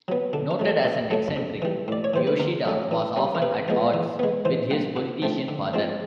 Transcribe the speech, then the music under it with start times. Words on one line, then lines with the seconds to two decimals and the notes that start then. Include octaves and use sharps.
Noted as an eccentric, Yoshida was often at odds with his politician father.
0.08 F#3 B3
0.33 D3 A4
0.51 A#4
0.59 F#3 A3
0.68 A4
0.85 B2
1.11 F#3 A3 A4
1.36 C3
1.62 E3 G3
1.88 A2 D5
2.04 C#5
2.14 E3 G3 C5
2.27 B4
2.40 D3 A#4
2.65 F#3 A3 C#4
2.91 E3
3.16 G3 A#3 C#4
3.35 A#4
3.42 C3 B4
3.68 F3 G#3 B3
3.94 E3
4.19 G#3 B3
4.45 E3 C5
4.71 G3 A#3 F#5
4.96 A#2 F#5
5.22 F3 A3 C4
5.48 D3
5.73 F3 G#3 C4